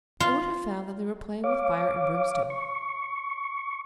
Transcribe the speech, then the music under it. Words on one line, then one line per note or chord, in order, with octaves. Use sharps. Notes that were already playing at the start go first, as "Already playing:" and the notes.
They would have found that they were playing with fire and brimstone.
F4
C#5 F5 D6
C#6